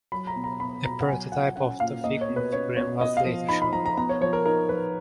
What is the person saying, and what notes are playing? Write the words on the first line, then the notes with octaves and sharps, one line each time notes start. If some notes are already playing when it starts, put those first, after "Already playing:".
A prototype of the Figma figurine was later shown.
F#3 B5
A#5
B2
A#5
B3 B5
B2 A#5
F#5
F#3 G#5
F4 F#5
C#4 F#5
A#2 F5
A#3 D#5
C#5
B2
B4
C#4 C#5
B2 C#5
B3 D#5
F5
F3
D#4 B5
B5
F3 A#5
A#5
B3 A#5
C#5
F3 C#5
A#4
D#4 A#4
F3 B4